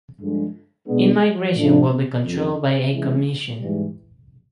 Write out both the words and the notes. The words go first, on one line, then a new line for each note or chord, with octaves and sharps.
Immigration would be controlled by a commission.
G2 D3 F3 G#3
B2 G#3 B3 D4
A2 F3 A3 D4
F2 C#3 F3
C3 E3 G#3 C#4 E4
G#2 E3 G3